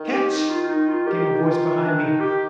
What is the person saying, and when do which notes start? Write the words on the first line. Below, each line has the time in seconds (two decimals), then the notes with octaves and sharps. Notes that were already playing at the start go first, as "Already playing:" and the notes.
"Catch!" came a voice behind me.
Already playing: D#3
0.11 G4
0.31 D#4
0.49 F4
0.63 F4
0.68 D#4
0.88 F4
1.06 D#3 G4
1.36 D#4
1.45 F4
1.83 D4
2.02 D#4
2.20 G4